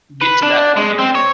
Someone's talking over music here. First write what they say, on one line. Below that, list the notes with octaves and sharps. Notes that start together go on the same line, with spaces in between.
get to that point again."
B4
D4
G#3
C4
C#5